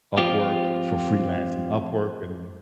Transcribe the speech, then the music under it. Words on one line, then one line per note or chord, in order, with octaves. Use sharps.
Upwork for freelancing Upwork and
F3 C4 F4 G4